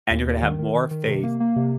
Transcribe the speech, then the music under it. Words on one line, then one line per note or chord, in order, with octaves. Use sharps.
and you're gonna have more faith
D#2
D#2
D#3
D#3
D#3
D#3
C3
A#3
A#3
C3